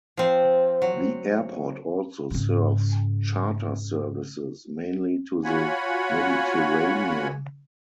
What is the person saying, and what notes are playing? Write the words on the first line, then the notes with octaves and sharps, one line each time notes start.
The airport also serves charter services, mainly to the Mediterranean.
F3 C4
F#3
G#2 C#3
F4 F#4 C#5 F#5 G#5 B5